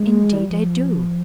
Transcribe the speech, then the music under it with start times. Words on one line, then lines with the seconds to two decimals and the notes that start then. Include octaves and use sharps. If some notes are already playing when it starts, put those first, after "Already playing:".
Indeed I do.
Already playing: G#3
0.33 G3
0.50 F3